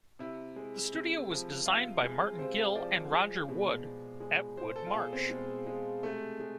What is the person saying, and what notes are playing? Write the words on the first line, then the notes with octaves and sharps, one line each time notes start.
The studio was designed by Martin Gill and Roger Wood at Wood Marsh.
C3 E4
G#3
C3
F3
C3 F4
G#3
C3 C5
F3 D5
G#3
B2
B2
G#3
G#3 C5
A4
F4
B2 G#4
C4
B2 G#3
G#3
C3 A3
G#3